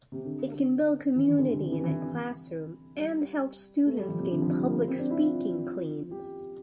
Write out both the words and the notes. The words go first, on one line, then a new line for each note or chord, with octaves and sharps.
It can build community in a classroom and help students gain public speaking cleans.
C3
D3
E3
E3
D3
C3
D3
E3
E3
G3
A3
G3
F3
C3
D3
F3
G3
A#3
C4
D4
E4
F4
G4